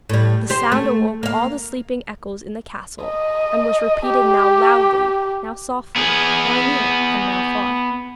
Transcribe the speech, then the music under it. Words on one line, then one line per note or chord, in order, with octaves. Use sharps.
The sound awoke all the sleeping echoes in the castle, and was repeated now loudly, now softly; now near, and now far.
A2 G3
G4 C5
A3
A#3 F5
D#5
G4
B3 G#4